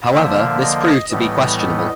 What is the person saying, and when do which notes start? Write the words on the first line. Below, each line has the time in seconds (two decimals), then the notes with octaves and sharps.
However this proved to be questionable.
0.13 D3 F3 A#3 E5
0.62 D#5
1.10 A2 E3 G3 B3 D#5
1.59 D#5